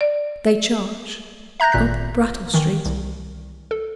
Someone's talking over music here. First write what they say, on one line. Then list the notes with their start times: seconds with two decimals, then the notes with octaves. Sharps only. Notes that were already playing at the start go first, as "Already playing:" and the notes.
They charge Up Brattle Street.
0.01 D5
1.60 E5 A#5 F#6 G6 A#6
1.72 G#1 A#2 F#6 B6
2.54 D#3 E3
2.85 C2
3.71 A4